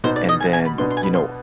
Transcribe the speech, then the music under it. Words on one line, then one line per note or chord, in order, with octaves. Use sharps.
And then, you know,
B2 B3 D#4 C5
D5
D#5
G#5
G#5
B5
B2 B3 D4 C6
C6
G#5
B5
C6